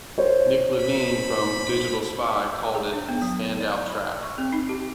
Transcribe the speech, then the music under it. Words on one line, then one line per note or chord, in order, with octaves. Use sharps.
Nick Levine, from "Digital Spy", called it "standout track".
C5 C#5
B5
G#4
D4
B3
F#3
C#5
D5
B5
C#6
C4
D#4
G4